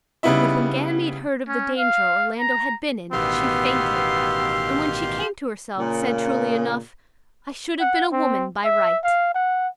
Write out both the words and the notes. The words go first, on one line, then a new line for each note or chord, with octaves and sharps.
But when Ganymede heard of the danger Orlando had been in she fainted; and when she came to herself, said truly enough, "I should have been a woman by right."
C#3 G3 B3 D#4 E4 E5
C#4
F5
A#5
A1 B2 D#3 B3 G4 F5 C6 E6
A#2 C#3
F#5
C4
E5
F5
F#5